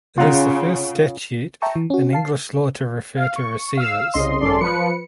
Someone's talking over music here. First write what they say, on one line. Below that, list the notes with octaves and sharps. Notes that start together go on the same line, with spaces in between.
It is the first statute in English law to refer to receivers.
C#3 F4 F#5 A#5
E5 G5 A5 A#5 C#6
E3
C#4 F#4
F5 A5 C7
F5
C#6
F5 E6
C2 C#3 D#5 C6
G#1 F#2 C#4 A4 D5 C6
F3 B4 C#7